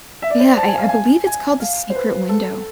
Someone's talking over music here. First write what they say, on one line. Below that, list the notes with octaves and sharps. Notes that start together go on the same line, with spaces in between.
Yeah, I I believe it's called The Secret Window.
E5
D5
C5
A5
G#5
F5
G#5
G#5
F5
C5
B4
A4